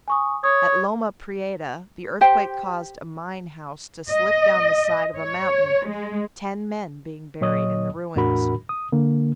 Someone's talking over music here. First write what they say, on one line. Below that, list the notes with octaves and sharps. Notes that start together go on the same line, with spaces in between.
At Loma Prieta the earthquake caused a mine house to slip down the side of a mountain, ten men being buried in the ruins.
G#5 C#6 D#6
C#5 D#6
G4 C5 G5
D#5
C#5
G#3
A#2 F#3 C#5 D#5 D#6
E2 A2 D4 F#4 A#4 B5
D#6
D3 A#3